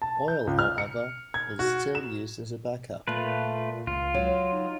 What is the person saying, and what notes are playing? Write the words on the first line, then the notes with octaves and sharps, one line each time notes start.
Oil, however, is still used as a back-up.
A5
G6
C#2
F6
C#7
G#6
F#4
E7
A#2 A3 F4 B4
C#2 F4
F#3
D#4